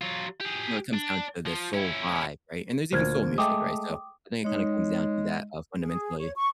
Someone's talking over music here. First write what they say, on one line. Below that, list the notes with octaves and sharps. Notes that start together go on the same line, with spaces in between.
you know, it comes down to the soul vibe, right? And there's even soul music, right? So I think it kind of comes down to that, uh, fundamentally.
F#3 F4
G4 G#4
D4
F3
C#4 E4
D2 A#2 C5 F6 G#6
G#3 A3 G5 D6 D#6
G#3 D#4 C#5
G#4
C#5
C#6